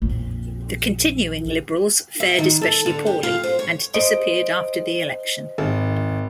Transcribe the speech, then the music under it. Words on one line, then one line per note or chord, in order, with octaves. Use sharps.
The Continuing Liberals fared especially poorly, and disappeared after the election.
A#1 F2
E5
D#3
A4
D3
G4
F4
C5
C#5
C5 D#5 D7
G#1